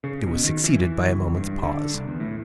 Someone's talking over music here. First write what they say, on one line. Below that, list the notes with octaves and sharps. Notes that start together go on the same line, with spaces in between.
It was succeeded by a moment's pause.
C#3
B2
D#3
E3
C#2
G2
D3
C2
E2
A2